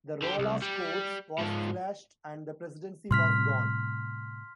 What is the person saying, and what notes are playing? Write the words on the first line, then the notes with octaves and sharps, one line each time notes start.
The role of courts was slashed, and the Presidency was gone.
D3 G4
C2
G3
G#2 F3
A2 C3 G3 C6 F6 B6